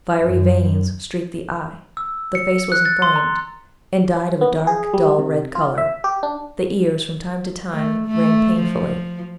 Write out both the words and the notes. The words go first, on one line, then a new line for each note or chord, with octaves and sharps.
Fiery veins streaked the eye; the face was inflamed, and dyed of a dark dull red colour; the ears from time to time rang painfully.
F#2
E6
C#7
F#6
A6
C6
A#5
B3
G#4
G3
C3
F4
E5
G4
D4
A3
A3
F3